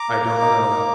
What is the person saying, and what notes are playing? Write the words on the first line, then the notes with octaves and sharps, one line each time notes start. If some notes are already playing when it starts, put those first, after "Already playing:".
I don't know.
Already playing: A#5 D6
A#3
A#3
D#4
D#4
A#3